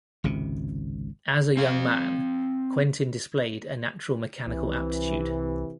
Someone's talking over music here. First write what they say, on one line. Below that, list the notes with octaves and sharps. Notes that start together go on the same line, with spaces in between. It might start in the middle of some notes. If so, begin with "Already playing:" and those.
As a young man, Quentin displayed a natural mechanical aptitude.
G#1 C#2 C3
C4 F5
C2 C3 E3